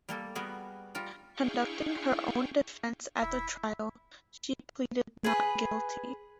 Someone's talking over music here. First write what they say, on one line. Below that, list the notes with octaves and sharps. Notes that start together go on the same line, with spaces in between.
Conducting her own defence at the trial, she pleaded not guilty.
G3 A#3 A4
G3 B3 F#4 G#4 A#4
G3 F4 A#4
D4 E4 G#4 F5 G5 C#6
E1 E4 E5
G#4 B4